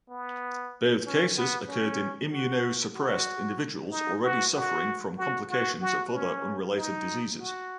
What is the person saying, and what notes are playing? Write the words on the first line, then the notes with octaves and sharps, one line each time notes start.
Both cases occurred in immunosuppressed individuals already suffering from complications of other unrelated diseases.
B3
C#4
B3
C#4
F#4
F#4
D#4
F#4
F#4
F#4
F#4
F#4
C#4
D#4
F#4